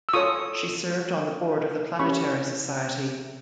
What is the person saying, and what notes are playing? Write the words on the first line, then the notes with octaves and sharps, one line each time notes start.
She served on the board of The Planetary Society.
E6
F4 A4 C#5 C#6 D#6
C#4 E4 G4 B5 C#6